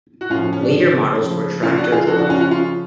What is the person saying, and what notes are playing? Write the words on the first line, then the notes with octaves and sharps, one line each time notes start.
Later models were tractor-drawn.
F#4
A2 C#4 F4
F3
C#4
C#4
D4
C#3 F3
C#4 F4
D4 F#4
F4 G#4
C#3 F3 F#4 A4
D4 F#4
C#4 F4
F#4
C#4 F4
C#4 F4